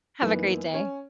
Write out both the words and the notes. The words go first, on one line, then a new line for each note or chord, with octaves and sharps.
Have a great day.
F#2 E3 A#3 B3 D#4 B4
C#4 C#5